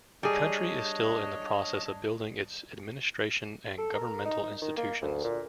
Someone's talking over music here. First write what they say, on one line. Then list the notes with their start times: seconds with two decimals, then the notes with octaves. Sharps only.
The country is still in the process of building its administration and governmental institutions.
0.23 G3 D4 G#4 C#5 D#5
3.78 A4
3.94 A#4
4.25 D#4
4.44 D#4
4.62 D#3
4.77 A#3
5.02 D2
5.24 A#2